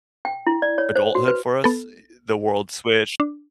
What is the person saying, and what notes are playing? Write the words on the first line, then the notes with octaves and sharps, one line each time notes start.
adulthood for us, eh, the world switched.
G5
E4
D5
C#5
C5
F#4
B4
B3 A4
D4